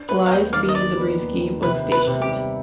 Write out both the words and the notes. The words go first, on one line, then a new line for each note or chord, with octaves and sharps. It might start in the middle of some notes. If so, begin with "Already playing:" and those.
Elias B. Zabriskie, was stationed.
Already playing: D4
B3 B4
F5
D#2 D#5 G5
D#3 D5 F5
D#5
D4 D5
B3
D#2
D#3
C3 B4
B3
B4
C3
G4
G3